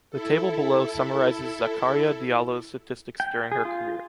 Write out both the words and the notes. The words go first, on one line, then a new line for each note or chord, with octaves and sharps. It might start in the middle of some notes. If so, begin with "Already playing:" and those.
The table below summarizes Zakaria Diallo’s statistics during his career.
E4 A4
G5
G#4
F4